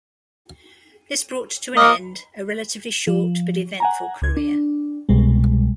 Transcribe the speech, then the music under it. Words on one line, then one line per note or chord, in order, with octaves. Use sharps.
This brought to an end a relatively short but eventful career.
A#3 D#5
F3
F#5 G#5 A#5
C#2 G#6
D4
C2 B2 G3 G#3